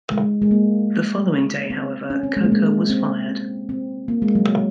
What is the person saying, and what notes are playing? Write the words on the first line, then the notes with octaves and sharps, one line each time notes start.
The following day, however, Coker was fired.
G#3
G#3
A#3
C4
C#4
C4
G#3
A#3
G#3
C4
C4
A#3
G#3
F#3